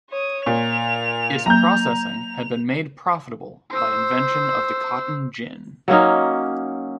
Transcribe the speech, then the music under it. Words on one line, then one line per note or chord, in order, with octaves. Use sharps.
Its processing had been made profitable by invention of the cotton gin.
C#5 D#6
A#2 F7
F#3 A#3 A#5 G6
C5 E6
F#3 A#3 C#4 D#4